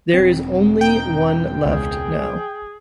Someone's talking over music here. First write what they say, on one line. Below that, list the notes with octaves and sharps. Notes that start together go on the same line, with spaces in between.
There is only one left now.
E1 C4
D#4 G5
C#2 G#4